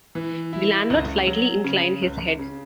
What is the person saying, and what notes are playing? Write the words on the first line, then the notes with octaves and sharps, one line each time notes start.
The landlord slightly inclined his head.
E3
E4
C#2
F#3
C#3
C#2
C#3